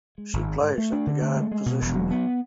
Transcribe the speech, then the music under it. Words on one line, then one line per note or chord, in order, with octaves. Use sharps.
She plays at the Guard position.
G#3
G#1
G#2
G#2
A3
D4
D3
A3
G#3
G#3
B2
E1
F#3
B3